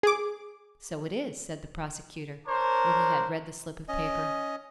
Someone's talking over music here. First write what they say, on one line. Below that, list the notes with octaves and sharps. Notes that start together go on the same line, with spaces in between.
"So it is," said the prosecutor, when he had read the slip of paper.
G#4 D6
D4 A#4 C5 C#5
C#4 D#5